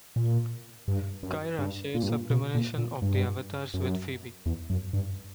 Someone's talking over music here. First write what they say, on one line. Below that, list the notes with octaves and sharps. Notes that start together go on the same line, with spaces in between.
Kyra shares her premonition of the Avatars with Phoebe.
A#2
G2
F#2
G2
A#2
G2
A#2
B2
A#2
A#2
G2
F#2
E2
F#2
G2